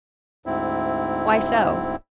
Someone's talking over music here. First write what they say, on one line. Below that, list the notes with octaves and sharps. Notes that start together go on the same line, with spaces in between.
"Why so?"
D2 G#2 C4 E4